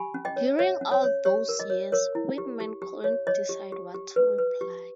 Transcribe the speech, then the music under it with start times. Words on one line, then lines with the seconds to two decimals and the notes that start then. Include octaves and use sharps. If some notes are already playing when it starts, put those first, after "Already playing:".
During all those years, Whitman couldn't decide what to reply.
Already playing: G4 G#5 B5
0.14 C#4
0.25 D#5 G5
0.36 C#5
0.59 C#5 E5
0.81 C#4
0.92 C#5
1.04 C#5
1.25 G4 C#5
1.49 A#4
1.59 D#5
1.70 C#5
1.92 A#4 C#5
2.15 E4
2.38 G4
2.60 G4
2.82 G4
3.04 C#5
3.27 C#5 D#5
3.49 G4
3.72 G4
3.94 G4
4.16 B4
4.38 B4
4.61 G4